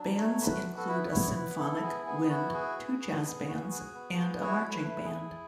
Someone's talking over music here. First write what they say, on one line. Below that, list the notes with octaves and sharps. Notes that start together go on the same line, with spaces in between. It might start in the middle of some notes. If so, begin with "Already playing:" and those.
Bands include a symphonic, wind, two jazz bands, and a marching band.
Already playing: F#3 D4
A3 C#5
F#4 B4
B3
A4
E4 B4
B3 C#5
B3 B4
E4 A4
B3 G#4
B3 G#4
E4 F#4
F#4 G#4
B3
B3
B3
F#4
F#4
B3
F#4
E4 C#5
A3
B4
E4
G#4
E4